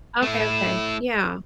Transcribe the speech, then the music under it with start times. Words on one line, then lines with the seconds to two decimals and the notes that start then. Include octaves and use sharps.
Okay, okay, yeah.
0.22 A3 E4